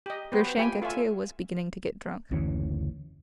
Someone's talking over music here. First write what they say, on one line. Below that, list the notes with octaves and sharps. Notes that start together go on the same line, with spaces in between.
Grushenka, too, was beginning to get drunk.
G4 D#5
B3 F#4 G4 B4 C5
A3 F4 G4 G5 G#5 B5
F4 A4 C#5 E5 G#5
F#1 D2 E3 C#4